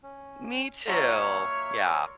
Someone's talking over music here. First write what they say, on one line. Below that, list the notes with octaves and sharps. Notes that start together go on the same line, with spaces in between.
Me too, yeah.
C#4
F3 F#3 A#3 D#4 C#5 E5 F6
A#4 D5 C6